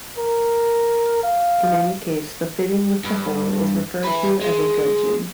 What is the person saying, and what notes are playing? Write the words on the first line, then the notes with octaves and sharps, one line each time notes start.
In any case, the fitting with the hole is referred to as a gudgeon.
A#4
F5
G2
E4 B4
G#3